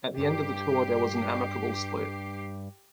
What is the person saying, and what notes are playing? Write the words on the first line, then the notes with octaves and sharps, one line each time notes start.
At the end of the tour, there was an amicable split.
G2 G4 C7